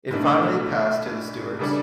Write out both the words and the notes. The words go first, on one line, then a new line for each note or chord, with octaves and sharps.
It finally passed to the Stewarts.
B1 A2 E3 A3 D4
C#3 G3 D4 A4 D5